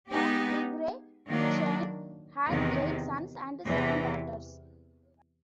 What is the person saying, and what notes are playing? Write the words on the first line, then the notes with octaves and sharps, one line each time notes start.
The "Divrei Chaim" had eight sons and seven daughters.
G#3 B3 D#4 G4
D#3 F#3 A#3 D4
E2 C3 D#3
E2 C3 E3